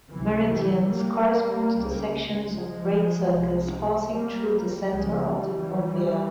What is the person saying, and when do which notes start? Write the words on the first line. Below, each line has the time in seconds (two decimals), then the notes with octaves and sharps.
Meridians correspond to sections of great circles passing though the centre of the fovea.
0.10 C#2 C3 E3
0.50 E3 G3
0.90 G3 A#3
1.71 C#2 C#3
2.49 F3 G#3
3.30 C2 C3
4.09 G3 A#3
4.89 C#2 C#3 F3 G#3
5.29 E3 G3